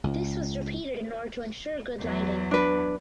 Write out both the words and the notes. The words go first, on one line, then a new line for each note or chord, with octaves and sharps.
This was repeated in order to ensure good lighting.
C#2
E2 F#3
D4 B4